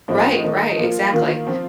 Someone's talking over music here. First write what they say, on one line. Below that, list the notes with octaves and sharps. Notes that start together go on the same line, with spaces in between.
Right, right, exactly.
A2 F3 A3 C4 D#4
D#3 A3 D#4
F3 A#3 F4
D#3 A#3 F4
F3 C4 F4